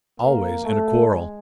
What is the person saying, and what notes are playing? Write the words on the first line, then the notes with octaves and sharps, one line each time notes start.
Always in a quarrel.
A#3
A3
G#3